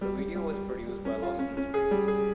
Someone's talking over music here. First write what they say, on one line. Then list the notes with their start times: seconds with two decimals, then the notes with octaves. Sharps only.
The video was produced by Lost in Space.
0.01 G3
0.18 G3
0.35 G3
0.53 G3
0.70 G3
0.87 G3
1.05 C#4
1.22 F4
1.39 C#4
1.57 C#4
1.74 G#4
1.91 G3
2.08 G#4